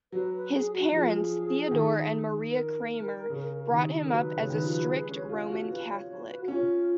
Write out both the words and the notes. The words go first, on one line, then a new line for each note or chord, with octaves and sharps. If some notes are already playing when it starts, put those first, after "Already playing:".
His parents, Theodore and Maria Kramer, brought him up as a "strict Roman Catholic".
F#3 B4
B4
G#4
F#4
F3 G#4
D#3
A#4
C#3
D#3
A#4
F#3 B4
C#3
D#3
F3
F#3
G#3
C#4
F4
F#4
F4 B4
C#5
C#5
B4
F#4
C#4 F4